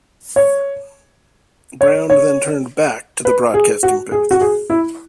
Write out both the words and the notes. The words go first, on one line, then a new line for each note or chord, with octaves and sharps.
Brown then turned back to the broadcasting booth.
C#5
C#5
C#5
B4
G#4
F#4
G#4
F#4
G#4
E4